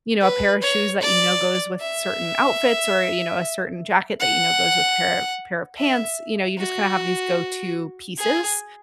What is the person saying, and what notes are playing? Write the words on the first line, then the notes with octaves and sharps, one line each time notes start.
you know, a pair of shoes that you know goes with certain outfits or, you know, a certain jacket that you know goes with pair of pair of pants, you know, you just kinda have these go-to pieces,
B4
C#5
D5
E5
F#5
E5
F#4
G#4